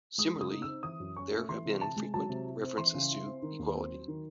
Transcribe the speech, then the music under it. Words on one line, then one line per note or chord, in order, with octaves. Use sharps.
Similarly, there have been frequent references to equity.
G#3 D#6
C#3
D#6
D#4
E6
C4
E3 D#6
F#2
C#4 C#6
A3
E3 C6
C3
C3 A5
G#3
F#3 A5
C3
E4
C4
E3 C6
C#3
E4
C4
D#3
D#2
C4
F#3
D#3